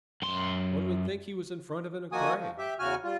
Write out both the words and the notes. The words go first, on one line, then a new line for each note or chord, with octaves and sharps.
"One would think he was in front of an aquarium!"
F#2 C6
D#3 F3 A#3 F#4 G#5 D#6
F3
G4 E5
E2 C#3 F#4 G#5 F6
G3 F4